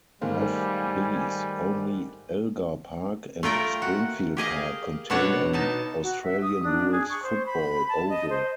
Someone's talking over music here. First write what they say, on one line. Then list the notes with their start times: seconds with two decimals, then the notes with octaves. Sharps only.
Of these, only Elgar Park and Springfield Park contain an Australian rules football oval.
0.21 G#2 D#3 G3 A3 A#4 C5 F5 G#5
3.43 A3 F4 A#4 G5
3.82 F#4
4.37 G4 G#4 D#5 F5
5.10 B2 D4 F#4 C#5 A5
5.53 B2 D#4 A5
6.02 F#4
6.23 E5
6.42 D#6
6.64 D4
6.92 G#4
7.09 C#6
7.23 C5
7.46 B5
7.89 A5
8.09 D#5
8.30 C5